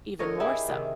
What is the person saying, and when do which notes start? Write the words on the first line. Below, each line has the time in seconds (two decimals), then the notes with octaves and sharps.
Even more so.
0.19 D3 A#4 C#5 D#5
0.40 D#4 E4 G4 G#4
0.68 C3 D#3